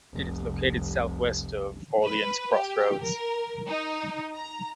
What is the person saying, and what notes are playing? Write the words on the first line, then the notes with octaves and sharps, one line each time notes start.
It is located southwest of Orleans Cross Roads.
F1 C2
B4
G4
A#4
D#4
A#5